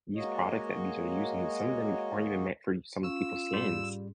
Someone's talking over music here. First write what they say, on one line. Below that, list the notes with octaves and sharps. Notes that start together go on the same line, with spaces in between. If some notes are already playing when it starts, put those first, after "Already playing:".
these products that these are using, some of them aren't even meant for some of people's skins.
G#3 A#3 F#4 C#5 D#5
C#4 F4 E6
G#2 G3